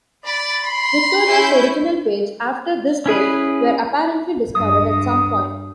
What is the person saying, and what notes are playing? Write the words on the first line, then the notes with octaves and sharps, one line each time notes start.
Victor's original pages after this date were apparently discarded at some point.
D5 B5
C6
C#4 E4 G6
C#4 E4 G#4 B4
G2 D#6